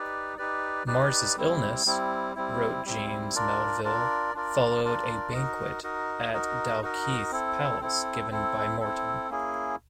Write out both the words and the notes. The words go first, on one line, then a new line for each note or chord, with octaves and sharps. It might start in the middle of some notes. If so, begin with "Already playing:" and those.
Mar's illness, wrote James Melville, followed a banquet at Dalkeith Palace given by Morton.
Already playing: D#4 G4 B4 D5
D#4 G4 B4 D5
D#4 G4 B4 D5
G3 C4 E4
G3 C4 E4
G3 C4 E4
G3 C4 E4
D4 F4 A#4 D5
D4 F4 A#4 D5
D4 F4 A#4 D5
D4 F4 A#4 D5
D#4 F#4 A#4 D#5
D#4 F#4 A#4 D#5
D#4 F#4 A#4 D#5
D#4 F#4 A#4 D#5
C4 E4 A4
C4 E4 A4
C4 E4 A4
C4 E4 A4
A#3 C#4 E4 G#4